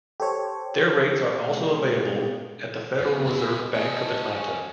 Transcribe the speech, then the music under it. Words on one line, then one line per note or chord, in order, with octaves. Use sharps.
Their rates are also available at the Federal Reserve Bank of Atlanta.
G4 A4 C5 C#5
B2 G#3 C#4 G4 G#4
F2 C#3 B3
G#3 E4
C#4 G#4 A4 D#5